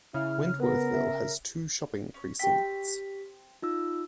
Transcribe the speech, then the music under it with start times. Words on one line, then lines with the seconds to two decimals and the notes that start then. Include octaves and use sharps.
Wentworthville has two shopping precincts.
0.14 C#3 E4 F6
0.60 B3 A#4 B4
0.93 E5
2.14 C#4
2.40 C4 G4 G5 B6
3.62 D#4 F4 E6